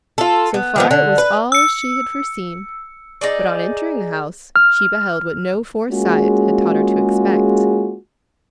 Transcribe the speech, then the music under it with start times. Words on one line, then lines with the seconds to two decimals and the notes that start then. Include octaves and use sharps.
So far it was all as she had foreseen; but on entering the house she beheld what no foresight had taught her to expect.
0.18 F4 A4
0.54 B3
0.76 D#3 F3 B3
0.91 D3
1.18 B4
1.52 E6 C#7
3.21 D#4 G#4 D5
4.56 F6
5.91 G#3 A#3 C#4 F4 F#4 G#4